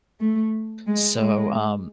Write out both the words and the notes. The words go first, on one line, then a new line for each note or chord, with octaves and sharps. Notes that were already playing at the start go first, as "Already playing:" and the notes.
So, um
A3
G#3
G#3